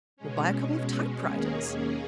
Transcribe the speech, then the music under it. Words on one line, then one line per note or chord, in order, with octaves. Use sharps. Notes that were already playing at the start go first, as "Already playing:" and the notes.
We'll buy a couple of typewriters.'
B2 G#3 C#4
D#2 D#3 A#3 C#4 G#4